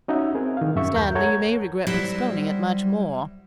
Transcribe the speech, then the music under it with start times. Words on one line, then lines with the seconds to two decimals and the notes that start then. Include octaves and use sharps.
'Stanley, you may regret postponing it, much more.'
0.08 C#4 D#4 F#4 E5
0.35 C4 G#4 A#4
0.57 D#3 F5
0.76 F#2 E5 C#6
0.94 D#2 A#4 G6
1.15 A4 C#5 F#5 A#5 G#6
1.87 F#3 G3 E4 C5 E5